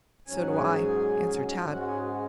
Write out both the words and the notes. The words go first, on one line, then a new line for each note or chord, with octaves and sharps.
"So do I," answered Tad.
G#2 F#3 C#4 G#5
F#5
G#4 G#5
G#2 G#3 C#4 F#4 F#5
F#5
G#4 G#5